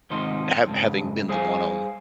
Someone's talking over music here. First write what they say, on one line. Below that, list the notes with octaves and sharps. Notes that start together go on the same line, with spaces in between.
Hav having been the one on
D#2 G#2 C3 F3 D#4 C6
F2 G#2 C#3
G3 G#4 C5 F5 G#5